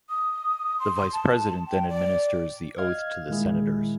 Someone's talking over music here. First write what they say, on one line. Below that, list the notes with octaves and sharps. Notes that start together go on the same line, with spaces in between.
The Vice President then administers the oath to the Senators.
D#6
C6
A5
G5
D5
D#5 F5 F6 G#6
A#2 D#3 G#3 E4 G#4